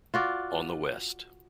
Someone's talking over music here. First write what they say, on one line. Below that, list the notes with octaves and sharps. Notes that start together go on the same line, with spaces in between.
On the West.
F4 F#4 D5